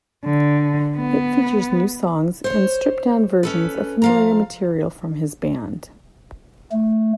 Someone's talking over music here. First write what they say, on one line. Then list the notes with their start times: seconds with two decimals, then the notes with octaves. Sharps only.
It featured new songs and stripped-down versions of familiar material from his band.
0.24 D3
0.97 B3
2.44 C5 C#5
3.43 C#4 A4 B4
4.02 F3 F5 A#5
6.72 A3